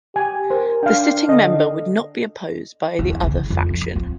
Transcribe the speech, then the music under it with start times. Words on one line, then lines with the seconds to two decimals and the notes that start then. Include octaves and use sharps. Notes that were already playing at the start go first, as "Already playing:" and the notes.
The sitting member would not be opposed by the other faction.
0.16 G4 G#5
0.50 A#4 C5
0.83 D4 F5 G5
1.29 D3 D#5
2.99 E2
3.23 C#3
3.50 F2
3.70 F3
3.96 F2